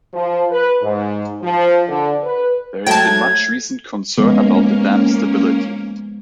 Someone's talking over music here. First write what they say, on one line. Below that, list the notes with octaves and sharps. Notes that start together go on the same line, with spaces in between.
There has been much recent concern about the dam's stability.
F3
B4
G#2
F3
D3
B4
F#3 A3 G5 A5 G#6
F3 G#3 A#3 B3 C#4 A#4